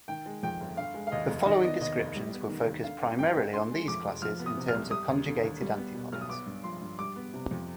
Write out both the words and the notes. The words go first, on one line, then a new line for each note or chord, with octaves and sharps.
The following descriptions will focus primarily on these classes in terms of conjugated antibodies.
D#3 G5
G#3
F2 G5
G1
D3 F5
G#3
F5
D#2 D#5
F1
D#3 D#5
D5
B3 D#5
D#2 D#5
F1
G3
B3
D#3
D#2
D3 F5
G1
G2 G5
G1
D3 C6
G#3
F2 D6
F1
F3 F6
B3
D#6
C3
F6
C2
G3 D#6
D#2
D3
D#2
G3
B3
B2
B1 F6
D#6
B3 D6
G2
F3 C6
G2
G3 D6
B3
C3
F2